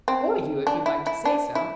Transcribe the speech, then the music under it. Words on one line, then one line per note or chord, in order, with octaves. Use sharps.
"Or you, if you like to say so."
C4
D4
E4
E4
D4
E4